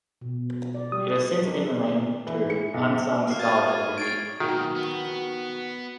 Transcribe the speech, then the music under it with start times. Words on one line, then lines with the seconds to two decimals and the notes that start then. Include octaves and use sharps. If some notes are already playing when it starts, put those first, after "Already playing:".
It has since been renamed to "Unsung Starlet of the Year".
0.21 B2
0.74 D5
0.92 G3 G4 D#6
1.43 D#3 G#3 D4 A#4
2.27 E3
2.50 C#7
2.74 B1
3.27 A#3 F#4 F6 C7
3.39 C#6 G#6 A6 D#7
3.98 G#6 A6 C7 D7
4.40 B1 A#2 D#3 F#4
4.75 B3